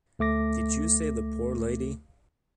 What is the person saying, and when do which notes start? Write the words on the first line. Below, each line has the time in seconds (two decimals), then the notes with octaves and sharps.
Did you save the poor lady?
0.19 D2 A3 D6 A#6